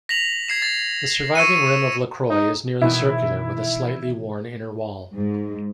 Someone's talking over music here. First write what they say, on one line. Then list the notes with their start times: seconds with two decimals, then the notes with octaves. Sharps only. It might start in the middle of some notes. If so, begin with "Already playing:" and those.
The surviving rim of Lacroix is nearly circular, with a slightly worn inner wall.
0.09 A#6 B6 F7 F#7
0.48 G#6 C7 E7
0.62 A6
1.35 C#6 E6 C#7 D#7
2.30 D#4
2.82 B2 D#3 E3 E4
5.13 G#2